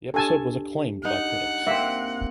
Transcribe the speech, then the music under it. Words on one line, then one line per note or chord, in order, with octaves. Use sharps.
The episode was acclaimed by critics.
D4 G4 A4 G#5 A5
D#4 F#5
A#3 C4 E5